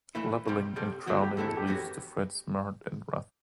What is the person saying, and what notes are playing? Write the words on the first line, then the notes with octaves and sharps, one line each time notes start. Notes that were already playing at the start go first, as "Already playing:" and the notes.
Leveling and crowning leaves the frets marred and rough.
G2 E3 A3 E4
C2 C3 G3
C2 C3 G3 A4
E2 D3 A3 C4 E4 F#4
G4
E2 D3 A3 C4 E4 A4
A4
G4
F#2 E3 B3 F#4